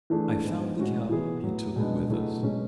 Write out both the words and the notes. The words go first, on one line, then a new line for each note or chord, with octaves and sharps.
I found the cow, and took her with us.
E3 A3 D4 G#4
G#2 G#3 B3
A2 G#3 C#4 F#4
E3 B3 E4 G#4
A2 F#3 B3
B2 G#3 B3 D4
B2 F#3 A3 E4 G#4
B2 G#3 C#4 G#4